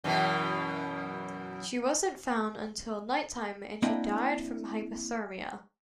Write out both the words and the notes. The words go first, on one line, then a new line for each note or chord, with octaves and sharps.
She wasn't found until nighttime and she died from hypothermia.
F#2 B2 E3
A#3 C4 D4 E4 D#5 G5